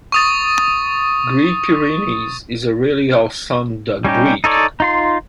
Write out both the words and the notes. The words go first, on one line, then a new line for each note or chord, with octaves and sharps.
Great Pyrenees is a really awesome dog breed.
C#6 D#6 A6
G3 C#4 D#4 G4
D#4 A4 C#5 D5
D#4 F4 C6